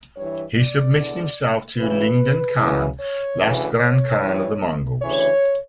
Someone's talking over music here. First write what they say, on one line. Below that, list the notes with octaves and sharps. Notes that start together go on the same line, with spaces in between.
He submitted himself to Ligdan Khan, last grand khan of the Mongols.
G2 E3 C#5
D5
E2 D3
D2 C#3 E3 B4
F#2 C#3 E3
C#5
D2 C#3 E3
C#5
G2 E3
D2 C#3 E3 C#5